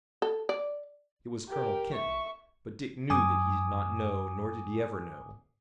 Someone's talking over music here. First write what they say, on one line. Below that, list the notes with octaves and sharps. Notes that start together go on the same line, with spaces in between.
It was Colonel Kenton, but Dick knew that he did not know, nor did he ever know.
A4
D5
G4 A#4
E5 C#6
F#2 G#5 D6 D#6